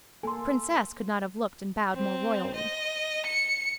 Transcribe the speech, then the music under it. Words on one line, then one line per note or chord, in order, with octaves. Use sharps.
A princess could not have looked and bowed more royally.
A#3 A4 G#5 C6
C4
D#5
C#7